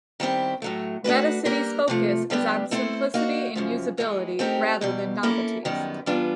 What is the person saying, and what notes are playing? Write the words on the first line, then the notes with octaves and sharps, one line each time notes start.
Metacity's focus is on simplicity and usability rather than novelties.
D#3 G3 C4 E4 G4
A2 F#3 A3
A3 D4 F#4 B4
G3 A#3 D4 G4 A#4
C3 F3 A3
D3 G3 B3 D4 G4
A3 C4 E4 A4 C5
A#3 D#4 F#4
F#2 C#3 F3
A2 E3 G#3
A3 C4 D#4 G4 A#4
E2 B2 G3
A#3 C#4 E4 A4
F#2 D#3 G3 B3
E3 G3 B3 D4 F4